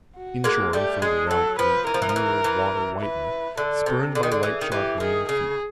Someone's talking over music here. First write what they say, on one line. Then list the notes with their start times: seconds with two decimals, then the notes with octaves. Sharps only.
Inshore and farther out the mirror of water whitened, spurned by lightshod hurrying feet.
0.16 F#4
0.44 G#3 A#3
0.73 G3 A3 G4
1.02 G#3 G#4
1.30 F#3 A4
1.59 F3 B4
1.87 E3 A#4
1.94 F3
2.02 E3
2.09 F3
2.16 E3
2.44 E3
3.01 B4
3.58 D3 A4
3.86 C3
4.15 D3 G#4
4.23 D#3
4.32 D3
4.43 E3
4.61 D#3
4.72 E3 G4
5.00 D#3 G#4
5.29 C#3 G#4